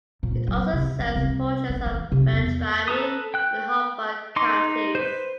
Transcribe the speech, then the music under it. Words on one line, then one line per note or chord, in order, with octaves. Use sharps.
It also serves portions of Beltrami and Hubbard counties.
A#2
F#3
C3
F3
C2
A3
E3
C3
E2
A4 B4 A#5 D#6
G5 F#6
D#4 C6 D6
B4 C5